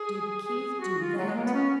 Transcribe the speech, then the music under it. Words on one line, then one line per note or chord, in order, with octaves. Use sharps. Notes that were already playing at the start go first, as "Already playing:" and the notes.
"Did Keith--do that?"
Already playing: G#4
G#4
F#4
F4
F#3
G#3
A#3
B3
C#4